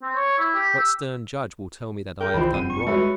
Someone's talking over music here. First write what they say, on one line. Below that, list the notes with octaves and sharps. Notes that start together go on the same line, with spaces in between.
What stern judge will tell me that I have done wrong?
C4
C#5
E4
G4
E6
G#4 A#4 G5
C2 D#3 E3 D4 F4 C5 B5
F1 C4 F#5 D#7
C#6
G3 G#3 F#4 A4 B4 C#5 E5